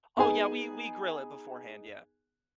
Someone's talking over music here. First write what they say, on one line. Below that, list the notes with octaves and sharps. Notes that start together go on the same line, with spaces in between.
Oh, yeah, we we grill it beforehand, yeah.
B3 D#4 G#4 G#5